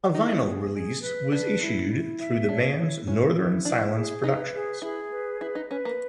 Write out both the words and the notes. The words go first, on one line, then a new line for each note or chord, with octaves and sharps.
A vinyl released was issued through the band's Northern Silence Productions.
D#4 E4
G#4
G#4
B4
D4 B4
E4
E4
E5
D4 C#5
E4
C#4 E4
E4
D4 E4
G#4
D#4 B4
G#4
E4 G#4
B4
E4 B4
D#4
C#4 B4
A#3